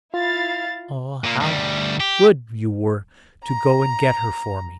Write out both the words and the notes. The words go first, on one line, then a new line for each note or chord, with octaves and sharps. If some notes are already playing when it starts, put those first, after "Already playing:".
Oh! how good you were to go and get her for me!
E4 F4 F5 A6
A#2 A#3
D2 G3
G4
A#5